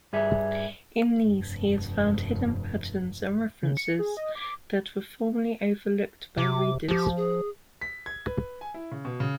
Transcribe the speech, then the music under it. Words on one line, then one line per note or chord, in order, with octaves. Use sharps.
In these, he found hidden patterns and references that were formerly overlooked by readers.
G2 G#4 E5
F1 G2
C#3
C#7
G#4
D#5
D6
C3 D6
F3 G4
G#4
B6
G#6
B4
G#5
E4
C#3
B2
C#3